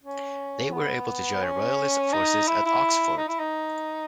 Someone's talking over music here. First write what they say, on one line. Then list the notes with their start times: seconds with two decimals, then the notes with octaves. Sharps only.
They were able to join Royalist forces at Oxford.
0.03 C#4
0.72 B3
1.43 C#4
2.13 D#4
2.48 E4
2.65 E4
3.18 D#4
3.28 E4
3.40 D#4